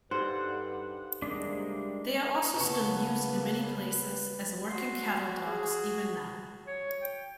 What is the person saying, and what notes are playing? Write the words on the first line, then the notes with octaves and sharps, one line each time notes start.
They are also still used in many places as working cattle dogs even now.
G2 D#4 G4 A4 B4 C5 F#5
C3 G3 G#3 A#3 D4
C#3 A#3 B3 A4 B4 C#6
F#4 C6
G#4
C#5
G5